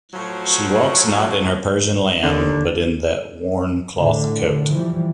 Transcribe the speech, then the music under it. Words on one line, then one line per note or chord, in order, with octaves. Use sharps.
She walks not in her Persian lamb, but in that worn cloth coat.
A2 F3 F#3
D#2 D3
A2 D3
E3 F3 G3